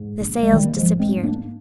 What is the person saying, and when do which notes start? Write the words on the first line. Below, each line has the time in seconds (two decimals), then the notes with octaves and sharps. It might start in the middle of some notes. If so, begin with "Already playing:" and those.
The sails disappeared.
Already playing: G#2
0.21 A#1
0.43 G#3
0.52 A#1 D#3 G3
0.64 A#3
0.77 F3 G#3
0.84 G#2
1.00 G#3 C4
1.16 G#2
1.23 A#3 D4